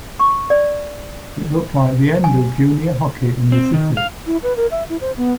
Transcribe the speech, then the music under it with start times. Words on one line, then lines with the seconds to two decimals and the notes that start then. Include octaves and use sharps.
It looked like the end of Junior hockey in the city.
0.19 C#6
0.50 D5
2.24 G#5
3.52 C4
3.74 D#3
3.97 F5
4.27 E4
4.43 B4
4.57 A#4
4.71 E5
4.89 E4
5.01 C5
5.17 B3